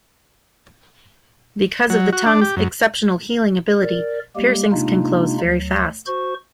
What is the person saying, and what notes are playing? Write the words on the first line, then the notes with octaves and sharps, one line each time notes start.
Because of the tongue's exceptional healing ability, piercings can close very fast.
F#3
F#4
D4
G4
F#2
A#4 D5
G3 G#3 A#3 G4
C3 G#3 A#3 D4 D#4 F4
D2 F#3
F#4 C5 C#6